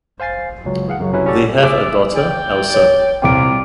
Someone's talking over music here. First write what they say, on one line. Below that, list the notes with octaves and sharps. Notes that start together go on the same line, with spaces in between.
They have a daughter, Elsa.
C5 F5 G#5 A6 C7
C#2 F#3
E3 G#4 F5 F#5
F#2 C#3 F#3
C3 F#3 C#4 E4 B4
G3 C#4 F#4 A4 D5
G#4 D5 E5 D6
D5 G5
C#5
C2 A2 C4 F4 G5 D6 D7